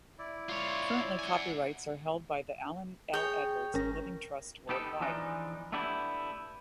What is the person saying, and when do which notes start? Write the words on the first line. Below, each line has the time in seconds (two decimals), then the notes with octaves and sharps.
Currently copyrights are held by The Allen L Edwards Living Trust worldwide.
0.19 E4 D5
0.49 F4 C#5
1.19 F#5 G#5
3.14 G#4 C#5 G5
3.74 G#1 C#4 A#4 A#6
4.69 B3 D#4 G4 A4
5.00 E2 E3 F3 D4 D#4
5.72 A3 B3 D4 E4 G4